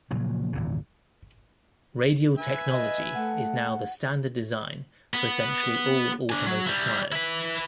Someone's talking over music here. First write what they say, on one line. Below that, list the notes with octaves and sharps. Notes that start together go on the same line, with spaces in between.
Radial technology is now the standard design for essentially all automotive tires.
A#2 C#3 F3 F#3
G#1 E2 A#2 C#3
B4 E5 G#5
D#5
A3 F#5
B3
D4 G#5
F#3
G3 E4
E4 B4